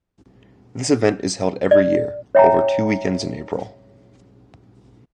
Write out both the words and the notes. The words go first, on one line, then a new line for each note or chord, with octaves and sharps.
This event is held every year, over two weekends in April.
D5
C#5 E5 G5 G#5 A#5